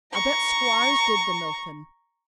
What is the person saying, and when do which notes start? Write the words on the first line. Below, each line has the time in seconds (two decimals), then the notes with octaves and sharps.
I bet squires did the milkin'.
0.13 A#5 C#6